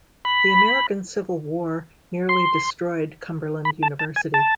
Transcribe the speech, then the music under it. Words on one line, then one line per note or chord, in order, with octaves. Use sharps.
The American Civil War nearly destroyed Cumberland University.
B5
C6
B5
A5
A5
G#5
A5